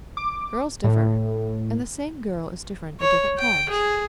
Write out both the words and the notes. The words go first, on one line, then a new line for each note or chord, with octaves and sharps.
Girls differ; and the same girl is different at different times.
D6
A2
C#5
G5
G#4